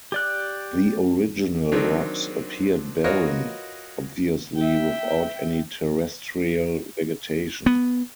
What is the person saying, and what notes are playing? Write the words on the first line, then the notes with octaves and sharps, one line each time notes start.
The original rocks appeared barren, obviously without any terrestrial vegetation.
G4 D5 F#6
D#3 F#3 C4 D4
F4 F#4 A#4 B4 C#5 D#5
E5 G5
B3